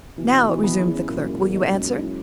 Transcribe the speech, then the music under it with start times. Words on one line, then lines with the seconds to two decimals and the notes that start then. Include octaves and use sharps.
"Now," resumed the clerk, "will you answer?"
0.18 B2 E3
0.33 D#4
0.48 E3
0.63 B3
0.79 E2 E4
0.94 C#4
1.09 F#2 A#2
1.25 G#3
1.40 E2 A#2
1.55 D#4
1.70 F#2 A#2
1.86 G#3
2.01 E4